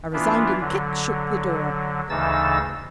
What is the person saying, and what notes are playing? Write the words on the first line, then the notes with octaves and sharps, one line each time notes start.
A resounding kick shook the door.
E3 B3 D4 E4 F4
D3 F#3
D2 C#3 E3 D#4 E6 A6